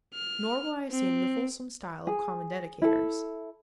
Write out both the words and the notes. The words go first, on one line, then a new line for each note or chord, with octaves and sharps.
Nor will I assume the fulsome stile of common dedicators.
F6
C4
G#4
E4 A4